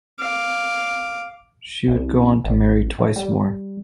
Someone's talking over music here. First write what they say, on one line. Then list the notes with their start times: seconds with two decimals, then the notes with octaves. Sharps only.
She would go on to marry twice more.
0.20 F5 D6
1.88 C2
2.44 A1
2.98 A2
3.16 G3